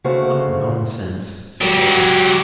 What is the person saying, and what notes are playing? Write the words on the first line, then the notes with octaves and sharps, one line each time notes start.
"What nonsense," said Bacon.
D2 C#3 A3 A#3 F#4 C5
F#3 G4